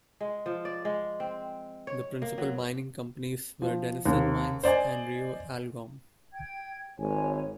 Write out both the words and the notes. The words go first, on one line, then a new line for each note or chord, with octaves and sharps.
The principal mining companies were Denison Mines and Rio Algom.
G#3
F3
D5
G#3
C4
C#5
A#3
F#3
F3
D#2 C3
C5 D5 D#5 G#5
G5 G#6
G#1 C#5 G#5